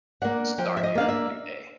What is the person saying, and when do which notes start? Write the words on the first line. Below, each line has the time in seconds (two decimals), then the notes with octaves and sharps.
start your your day.
0.22 A#3 D4 F#5
0.58 F3 G5
0.77 E5
0.83 D#5
0.95 A#3 D4 F5
1.09 E5